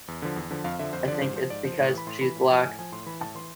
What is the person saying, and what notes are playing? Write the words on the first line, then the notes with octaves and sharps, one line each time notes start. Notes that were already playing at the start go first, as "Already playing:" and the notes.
I think it's because she's black.
E2
D3 F3
E2
D3 F3
F2 F5
D3 F3 E5
F2 C5
D3 F3 D5
G#2 C5
F3 C5
G#2 D5
F3 C5
A2 D5
E3 B5
A2 C6
E3 B5
A2
F3
A2 G#5
F3 G#5
A2 C6
E3 B5
A2 A5
E3 C6